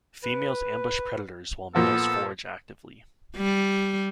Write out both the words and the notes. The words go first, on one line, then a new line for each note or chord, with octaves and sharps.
Females ambush predators while males forage actively.
B4
A#2 F3 B3 F#4 A4
G3